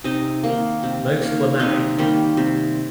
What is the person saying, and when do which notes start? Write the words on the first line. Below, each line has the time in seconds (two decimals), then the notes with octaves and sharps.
Most were married.
0.04 C3 D#4 D#5
0.43 A#3
0.49 D#3
0.83 C3
1.22 D#3 A#3
1.59 C3 D#4 D#5
1.98 D#3 G3 A#3
2.37 C3